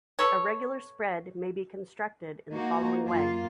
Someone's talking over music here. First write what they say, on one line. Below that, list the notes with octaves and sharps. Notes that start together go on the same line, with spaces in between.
A regular spread may be constructed in the following way.
A4 B4 C#5
A#3 D#4 F#4
F#2 A#3 F4